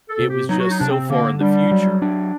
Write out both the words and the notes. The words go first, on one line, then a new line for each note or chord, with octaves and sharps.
It was just so far in the future
A4
C3
G4
F#3 D#4
F#4
D#4
C3 D4
C4
D3 A#3
G3 D4
F#3
D4